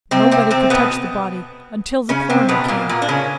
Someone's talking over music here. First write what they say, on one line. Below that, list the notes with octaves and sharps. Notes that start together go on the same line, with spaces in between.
Nobody could touch the body until the coroner came.
C3 C4
C3 C4
C3 C4
B2 B3
C#3 C#4
C3 C4
B2 B3
A#2 A#3
A#2 A#3
D4
C#3 C#4